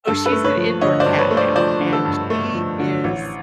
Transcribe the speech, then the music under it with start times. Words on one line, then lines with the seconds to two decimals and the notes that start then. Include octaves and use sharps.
Oh, she's an indoor cat now, and she is
0.07 G2 A4
0.26 A4 B4
0.32 A3
0.44 B4 C#5
0.57 F3
0.81 D3 C#5 D#5
1.00 C5 D5
1.06 G2
1.19 B4 C#5
1.31 A3
1.37 C5 D5
1.56 F3 C5 D5
1.80 D3
1.93 A4
2.05 G2
2.30 A3
2.54 F3
2.79 D3
3.04 A1